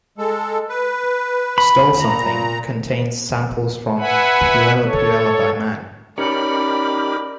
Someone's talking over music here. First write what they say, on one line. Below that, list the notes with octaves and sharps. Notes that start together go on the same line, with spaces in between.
"Stole Something" contains samples from "Puella Puella" by Man.
G#3 A4
B4
B5
A#2 A#5
B4 E5 F#5 G#5 B5
A4 C#5
C#4 D#4 G4 A#4 C#5 D5 B5